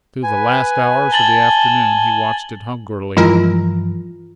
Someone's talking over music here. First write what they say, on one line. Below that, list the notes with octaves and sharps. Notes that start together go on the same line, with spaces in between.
Through the last hours of the afternoon he watched it hungrily.
B4 G#5
A5 A6 F#7 G7
G2 E3 F3 G#3 E4 F4 A#4 A#5